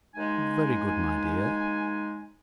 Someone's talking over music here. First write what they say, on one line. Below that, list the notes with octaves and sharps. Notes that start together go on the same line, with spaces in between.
'Very good, my dear.
D#2 G#3 D#4 G#5